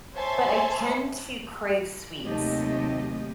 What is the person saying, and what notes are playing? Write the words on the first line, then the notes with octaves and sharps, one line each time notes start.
but I tend to crave sweets.
C5 C#5 E5 G#5 A5 C6
D#2 C3 F#3 A3 G4 D#5